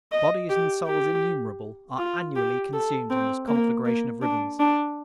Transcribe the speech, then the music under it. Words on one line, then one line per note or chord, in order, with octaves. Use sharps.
Bodies and souls innumerable are annually consumed in this conflagration of ribbons.
D#5
G4
G4
F4
G4
A4
C4
A#3
A#3
D4
D4